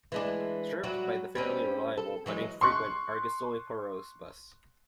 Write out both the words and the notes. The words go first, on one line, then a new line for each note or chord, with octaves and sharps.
Served by the fairly reliable, but infrequent, Argostoli - Poros bus.
E3 G#3 D4
F#3 G3 F#4
G3 C4 C#4
A4
E3 F#3 G#3
C6 C#6 F#6